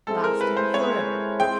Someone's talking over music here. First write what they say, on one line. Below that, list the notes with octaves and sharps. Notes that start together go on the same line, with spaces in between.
Lasting forever.
G#3 C4 E4 G#4 A4
A#4
B4
C5
G#3 C4 E4 G#4 C#5
G#3 C4 E4 G#4 G5